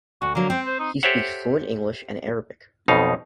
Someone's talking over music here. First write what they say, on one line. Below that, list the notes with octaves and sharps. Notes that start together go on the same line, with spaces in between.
He speaks fluent English and Arabic.
D2 F#4
D3 F#3 A#3
C4 G5
C5
D#4
G4 A4 C5 C#5 E5 F#5
B1 F2 B2 D#4 F5